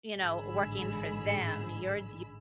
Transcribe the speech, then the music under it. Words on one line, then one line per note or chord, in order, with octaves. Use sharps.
you know, working for them. You're you're
A1 G#2 D3 G#4 B5 E6